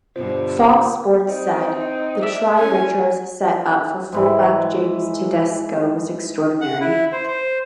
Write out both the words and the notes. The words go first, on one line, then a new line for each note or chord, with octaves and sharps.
Fox sports said, The try Richards set up for fullback James Tedesco was extraordinary.
G2 B2 D3 F4 C5
C4 D#4
D4 D5 E5
C#3 E3 C#4 G#5
G#2 E3 E4
F#5
E4
C5
C5